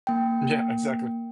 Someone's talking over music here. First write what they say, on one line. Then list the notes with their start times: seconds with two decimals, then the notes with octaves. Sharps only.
Yeah, exactly.
0.07 A#3 G5